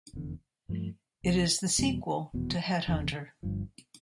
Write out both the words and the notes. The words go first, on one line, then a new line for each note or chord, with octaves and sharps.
It is the sequel to "Headhunter".
F1 E2 D3
G2 F3 A3
C2 C3 F3
E2 B2 G3
F1 E2 B2
F1 E2 D3
G1 G2 F3